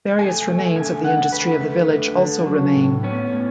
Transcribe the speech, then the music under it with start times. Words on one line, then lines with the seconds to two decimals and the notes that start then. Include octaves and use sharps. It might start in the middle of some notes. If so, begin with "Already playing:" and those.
Various remains of the industry of the village also remain.
0.19 A3 G#5
0.47 A3
0.75 D3 G#5
1.03 D3 F#5
1.33 A3 B4
1.60 A3
1.89 D3
2.18 D3
2.46 F#3
2.75 A2
3.03 B3 C#4
3.32 A2